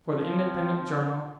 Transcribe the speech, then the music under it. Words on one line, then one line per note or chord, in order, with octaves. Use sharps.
For the Independent Journal.
F3 C4